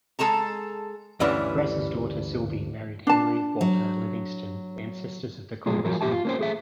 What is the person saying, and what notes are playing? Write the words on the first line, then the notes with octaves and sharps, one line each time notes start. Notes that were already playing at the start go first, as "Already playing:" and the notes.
De Grasse's daughter, Sylvie, married Henry Walter Livingston, ancestors of the Congressman.
G#3 A4 A5 A#5
D2 G2 E3 G3 C#4 D4
D4 A5
F#3
B2 F3 G#3
F3 F#3 A#4
E2 A#2 D#4 G4 E5 A5
F4
A#3 C#4 C5
A3 G#4 E5